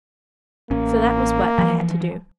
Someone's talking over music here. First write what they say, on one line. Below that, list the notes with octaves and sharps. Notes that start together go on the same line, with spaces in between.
So that was what I had to do.
A1 A#3 C#4
E3 F3